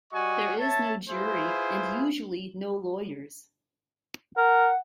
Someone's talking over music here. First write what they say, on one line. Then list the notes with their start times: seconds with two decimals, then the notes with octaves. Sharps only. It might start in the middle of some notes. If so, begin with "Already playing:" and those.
There is no jury and usually no lawyers.
0.12 G3 F#4 D#5 G#5 C#6
0.59 C#5 E5 A5
1.10 E4 F4 G#4 B4 C5
4.37 A#4 F#5